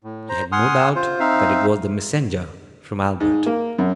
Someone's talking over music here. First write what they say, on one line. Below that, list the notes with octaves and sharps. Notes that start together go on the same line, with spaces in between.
He had no doubt that it was the messenger from Albert.
A2
C5 A#5
F#5 G#5 C6 D#6 F6
F4 C5
C4 D#4 E5 F5
G#2
A#3
F#2